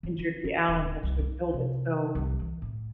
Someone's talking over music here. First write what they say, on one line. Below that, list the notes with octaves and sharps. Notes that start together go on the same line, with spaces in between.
injured the owl and eventually killed it, so,
E3
E4
D#4
D#1
C2
D#4
C3
C2
E3
A2